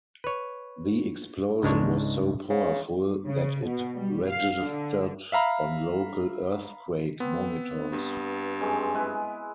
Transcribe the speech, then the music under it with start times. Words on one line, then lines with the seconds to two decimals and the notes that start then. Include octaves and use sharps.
The explosion was so powerful that it registered on local earthquake monitors.
0.24 B4 C#5
1.63 C#2 G#2 G#3 D4 C#5
2.50 C#3
3.26 C#3
3.66 B2
3.96 G3
4.28 F5
4.61 D3
5.32 E5 F5 A#5 B5
7.20 B3 C4
7.92 G2
8.61 F#2 G#3 C4
8.94 G#3 E4 B4